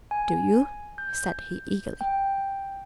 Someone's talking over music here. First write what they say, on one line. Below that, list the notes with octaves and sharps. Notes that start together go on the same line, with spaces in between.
"Do you?" said he eagerly.
G#5
G6
G5